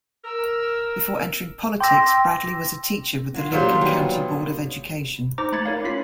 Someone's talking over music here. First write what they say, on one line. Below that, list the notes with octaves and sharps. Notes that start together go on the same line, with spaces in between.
Before entering politics, Bradley was a teacher with the Lincoln County Board of Education.
A#4 E6
G5 C6 D6 E6 A#6
F#3 F4
A#2 F#3 G3 F4 C5
D#3 B3
D#4 C5 A#5 D6 A#6
A3 B5 G#6 A6 C#7
E4 A#4 C#5 F5
C#4 F4 B5 B6 C7